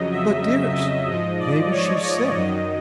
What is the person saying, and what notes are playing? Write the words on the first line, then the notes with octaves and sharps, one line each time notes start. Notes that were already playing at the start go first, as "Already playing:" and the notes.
"But, dearest, maybe she's sick."
Already playing: F2 C#3 F#3 D#5
E5
E5
D#5
G#2 F3
D5
C#5
C#5
F#2 D#3 F#3 D#5